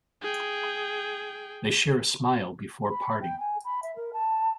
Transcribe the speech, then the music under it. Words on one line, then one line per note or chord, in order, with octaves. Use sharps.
They share a smile before parting.
G#4 G5
B5
G5
G#5
B5
E5
A#4
A5